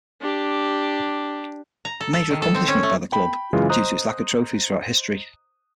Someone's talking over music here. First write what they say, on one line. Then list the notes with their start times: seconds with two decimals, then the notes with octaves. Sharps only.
A major accomplishment by the club due to its lack of trophies throughout history.
0.21 D4 G4
1.85 A#5
2.01 A4
2.13 A4
2.31 D#3
2.42 A4
2.55 C4
2.68 C#4
2.83 A3
3.12 G5 B5
3.53 F#2 C#3 E3 G#3 F4
3.69 C5 D#5 A#5 D#6 F#6